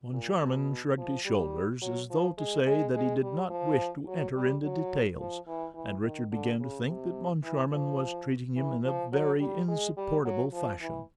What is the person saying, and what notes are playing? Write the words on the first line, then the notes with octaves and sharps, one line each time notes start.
Moncharmin shrugged his shoulders, as though to say that he did not wish to enter into details, and Richard began to think that Moncharmin was treating him in a very insupportable fashion.
A#2
B2
F3
G3
F#3
F3
G#3
G#3
G#3
G3
F3
F#3
G3
F#3
F3
E3
E3
D#3
D3
C#3
C3
E3
F3
E3
F3
F#3
G3
G#3
G3
F#3
F3
E3